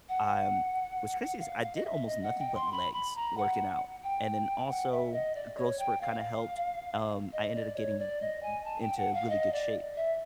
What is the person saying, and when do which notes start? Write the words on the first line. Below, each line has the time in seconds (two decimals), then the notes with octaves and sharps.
um what's crazy is I did almost nothing but legs, working out, and then, also, growth spurt kinda helped. Um, I ended up getting r r into really good shape,
0.09 F#5
1.40 F5
1.62 F5
1.75 D#5
1.85 E5
2.07 D#5
2.23 F#5
2.39 G5
2.55 C6
2.72 B5
2.93 B5
3.16 A#5
3.37 F#5
4.04 G5
4.69 F#5
4.91 E5
5.13 D#5
5.35 D5
5.58 C#5
5.79 G5
6.01 F5
7.33 D#5
7.54 D5
7.76 C#5
7.99 D5
8.21 D#5
8.43 G#5
8.64 A5
8.81 G5
8.97 F#5
9.14 F5
9.30 D#5
9.53 D5
9.97 E5